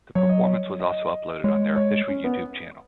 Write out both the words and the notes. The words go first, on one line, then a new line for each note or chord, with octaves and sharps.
The performance was also uploaded on their official YouTube channel.
F#3 C#5
D#5
C#5
D#5
G#3 C#5
C#5
C#4
B3